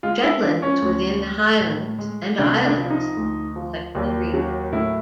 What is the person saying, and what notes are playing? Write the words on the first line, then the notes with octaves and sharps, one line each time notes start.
Shetland is within the Highlands and Islands electoral region.
G#3 F4
E4
F3 D4
C#4
D2
G3
A2
G#3
C2 D4
D4
F3
D#4
D2
F3
D#2
F#3
A2 E4